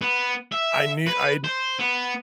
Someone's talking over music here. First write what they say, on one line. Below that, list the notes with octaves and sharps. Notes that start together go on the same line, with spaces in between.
I knew, I kn
B3
E5
B4
C5
B3